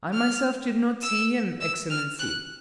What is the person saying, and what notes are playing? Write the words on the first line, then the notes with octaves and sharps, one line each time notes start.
I myself did not see him, Excellency.
F6
E6
E6
F6
F#6